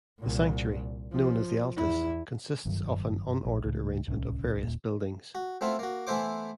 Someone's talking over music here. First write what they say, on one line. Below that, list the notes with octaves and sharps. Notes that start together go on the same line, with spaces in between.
The sanctuary, known as the Altis, consists of an unordered arrangement of various buildings.
C2 A#2
F3
E2 E4
F#1 G2 D#3 F#3
A#1
C#2 A2
D1 C2 C#3 C#4
D#1 A#2
F#4
A3 B3 C4 E4 F4
A#3 F#4
E3 A3 B3 E4 C5 D6